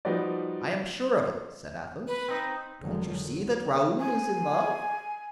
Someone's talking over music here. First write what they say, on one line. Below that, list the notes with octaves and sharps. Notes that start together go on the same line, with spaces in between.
"I am sure of it," said Athos; "don't you see that Raoul is in love?"
F3 G3 D#4 F#4 B4 D5
B4
C4 D#4
F1 D3 D#3 F#3 G#3
F#3
G#5